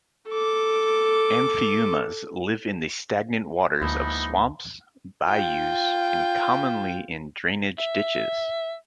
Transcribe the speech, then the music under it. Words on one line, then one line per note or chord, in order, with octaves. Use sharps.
Amphiumas live in the stagnant waters of swamps, bayous, and commonly in drainage ditches.
A4 D6
D2 F3 G#3 A#3 B3 D#4 E4
F4 G5
E5